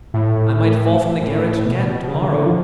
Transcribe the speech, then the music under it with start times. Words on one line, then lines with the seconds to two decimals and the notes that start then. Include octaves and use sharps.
I might fall from the garret again to-morrow.
0.14 A2
1.22 A2
1.44 A2
1.65 B2
1.87 B2
2.03 B2
2.08 C#3
2.22 C#3
2.29 D3
2.46 F3